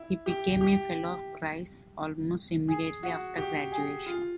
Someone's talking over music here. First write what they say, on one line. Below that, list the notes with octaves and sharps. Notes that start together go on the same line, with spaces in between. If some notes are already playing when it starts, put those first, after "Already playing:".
He became a Fellow of Christ's almost immediately after graduation.
Already playing: E4
G4
G4
G#4
F#4
G4
G#4
F4